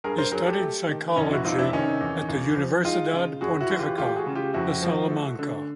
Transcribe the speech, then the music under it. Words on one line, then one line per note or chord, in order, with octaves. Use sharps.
He studied psychology at the Universidad Pontificia de Salamanca.
G2 G#4 A#4
A#4 C5
F#3 G#4 A#4
G4 A4
A3
D#3
F1 C#4 D#4
E4 F#4
C3 D#4 F4
D4 E4
D#3 C#4 D#4
E2
C#2
F3
G#3 D#4 F4
C#3
F#2 F#4 G#4
E4 F#4
E3
F4 G4
A3 F4 G4
F#4 G#4
C#3
F4 G4
F2 E4 F#4
F3
A3
D3